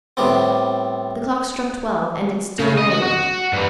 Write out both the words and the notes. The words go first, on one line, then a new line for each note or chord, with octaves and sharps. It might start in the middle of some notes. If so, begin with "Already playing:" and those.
The clock struck twelve, and it still rained.
A2 G3 B3 C4
C#3
D#5
F#4
F#4
G2 E3